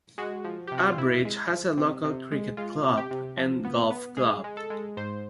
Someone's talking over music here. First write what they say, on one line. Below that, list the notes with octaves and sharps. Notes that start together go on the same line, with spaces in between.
Abridge has a local cricket club and golf club.
G#3 F#4
F3
C3 G4
F#4
F4
C3 E4
G#3
F3
C3
C3
G#3
G#3 F4
C3
G4
C3
F3
B3
B3
G#3 G#4
G#3
A4
G#3
G#2 C5